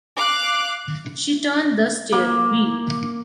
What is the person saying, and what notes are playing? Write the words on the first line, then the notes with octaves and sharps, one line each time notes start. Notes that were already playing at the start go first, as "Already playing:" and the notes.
She turned the steering wheel.
F5 D6 F#6
A#3